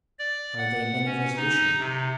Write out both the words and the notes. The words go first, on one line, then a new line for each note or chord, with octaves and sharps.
"Are they men of resolution?"
D5
F#5
C#4
D#4
C3